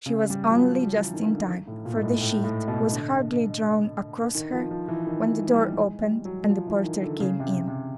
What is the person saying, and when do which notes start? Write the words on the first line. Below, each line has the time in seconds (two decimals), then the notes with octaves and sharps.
She was only just in time, for the sheet was hardly drawn across her when the door opened and the porter came in.
0.06 C#3
0.30 G3
0.49 F3
0.54 F#3
0.78 F3
0.96 E3
1.14 D#3
1.31 D3
1.68 A2
1.85 A#2
1.96 G#2
2.03 A2
2.21 A2
2.44 A2
2.68 B2
2.93 D3
4.35 D#3
4.52 F3
4.71 F3
4.88 E3
5.07 D#3
5.30 F3
5.53 G3
5.73 G3
5.77 G#3
6.02 G3
6.25 F#3
6.49 F3
6.67 E3
6.84 D#3
7.02 D3
7.20 C#3
7.40 C3
7.45 C#3
7.68 C3